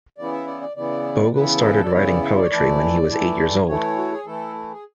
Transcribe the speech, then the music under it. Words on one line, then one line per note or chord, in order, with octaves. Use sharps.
Bogle started writing poetry when he was eight years old.
C#3 E3 B3 E4 D5
E5
D5
D5
C#3 E3 B3 E4 D5
C#3 E3 B3 E4 B4
A4
B4
A4
D5
C#3 E3 B3 E4 C#5
D5
E5
D5
C#5
E3 A3 E4 D5
E3 A3 E4
E3 A3 E4 C#5
F#4
G#4
E3 A3 E4 A4
G#4